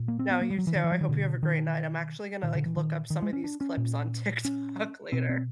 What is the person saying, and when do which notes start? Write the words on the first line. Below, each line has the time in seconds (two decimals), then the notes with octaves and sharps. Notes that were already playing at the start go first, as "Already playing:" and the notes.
No, you too, I hope you have a great night. I'm actually gonna, like, look up some of these clips on TikTok later.
Already playing: A#2
0.08 A#3
0.19 C4
0.31 B3
0.42 A#3
0.50 G3
0.58 F#3
0.67 E3
0.75 D#3
0.84 E3
0.92 F3
1.01 D#3
1.09 B2 D3
1.43 D#3
2.43 A#2 D#3
2.55 D3
2.66 E3
2.77 D#3
3.10 D#3
3.22 G#3
3.33 C#4
3.44 D4
3.61 C#4
3.77 A#2
4.45 C#4
5.12 B2 C4
5.29 C4